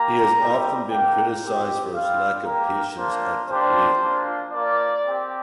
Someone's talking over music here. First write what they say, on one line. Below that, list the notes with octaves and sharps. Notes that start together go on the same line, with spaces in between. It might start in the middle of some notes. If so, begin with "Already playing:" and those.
He has often been criticized for his lack of patience at the plate.
Already playing: A#3 G4 A#5
G3 C4 G4
A#3 G4 G5
C4 G4
G3 C4 F4 F5
A#3 G4 A#4
A#3 D4 F4 C5
A#3 D4 G4 C5
A#3 D4 F4
A#3 F4 D5
C4 G4